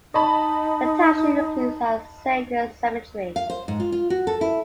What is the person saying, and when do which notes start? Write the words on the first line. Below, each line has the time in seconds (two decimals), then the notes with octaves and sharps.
The township includes Our Saviors Cemetery.
0.14 D#4 D#5 A5 B5
3.36 F5
3.50 C5
3.68 G#2
3.80 F4
3.92 F4
4.10 F#4
4.27 A4
4.41 E4